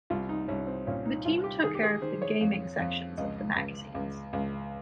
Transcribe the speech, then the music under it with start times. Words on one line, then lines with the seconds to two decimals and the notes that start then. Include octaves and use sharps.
The team took care of the gaming sections of the magazines.
0.10 C2 F4
0.29 D#4
0.48 C2 C#4
0.67 C4
0.87 A#2 C#4
1.05 D#4
1.25 C2 F4
1.44 G4
1.63 D#3 G#4
1.75 G4
1.83 G#4
2.02 D#3 C5
2.22 C#5
2.41 F2
2.79 F2
3.18 C#2 D#5
3.56 C#2
3.95 C#2
4.33 C#2